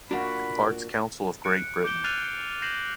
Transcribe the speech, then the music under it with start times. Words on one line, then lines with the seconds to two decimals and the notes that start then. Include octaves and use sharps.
Arts Council of Great Britain.
0.11 A#2 A#3 D4 F#4 B5
1.44 F#6 C#7 D7
1.84 D6 G6 D7 G7
2.04 F6 F#6 A6 C7 D#7 F7
2.25 C#7
2.62 G6 A#6 C7 E7 F#7